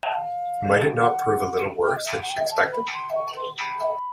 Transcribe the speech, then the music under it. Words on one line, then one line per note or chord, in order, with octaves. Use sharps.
Might it not prove a little worse than she expected?
F#5
F5
F#5
G5
D#5
E5
F5
F#5
G5
A5
B5
C6
C#6
C6
B5